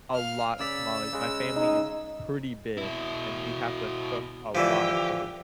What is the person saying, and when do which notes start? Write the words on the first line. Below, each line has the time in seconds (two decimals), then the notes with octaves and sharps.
a lot of tamales; my family is pretty big, and we have to cook a lotta food.
0.14 F5 F6
0.60 C#3 D5 E6 B6
1.13 C#3 G#3
1.56 D#4
2.77 B2 E4
4.55 D3 E3 F3 G4